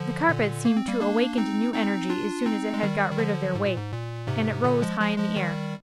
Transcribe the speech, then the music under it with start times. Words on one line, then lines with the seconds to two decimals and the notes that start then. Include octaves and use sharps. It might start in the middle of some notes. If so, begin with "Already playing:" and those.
The carpet seemed to awaken to new energy as soon as it had got rid of their weight, and it rose high in the air.
Already playing: D3 F3
0.29 A#2 D3
0.65 A#3
0.77 C4
0.88 G3 A#3
1.01 A#3 D4
1.38 C4 D#4
1.74 C4 D#4
2.09 D4 F4
2.46 C4 D#4
2.74 G#3
2.83 D#3 G3
3.12 D#3
3.18 D3 F3
3.55 G#2
3.66 A#2
3.76 G#2
3.92 A#2
4.27 G#2 C3
4.64 A#2 D3
4.82 F3 G#3
5.00 F3 G#3
5.18 F3 G#3
5.36 D#3 G3